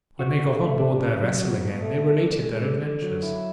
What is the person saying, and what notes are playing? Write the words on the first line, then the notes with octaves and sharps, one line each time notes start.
When they got on board their vessel again they related their adventures.
F#4
D3
A3
D4
C#3
F#3
F#4
B2
A3
D3
D3
G#3
D3
D3
F#3
E4